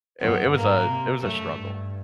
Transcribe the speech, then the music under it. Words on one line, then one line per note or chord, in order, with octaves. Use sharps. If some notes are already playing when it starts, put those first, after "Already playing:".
it it was a it was a struggle.
F#2 B3
G#2 A#3
C3
F#2 A3
G2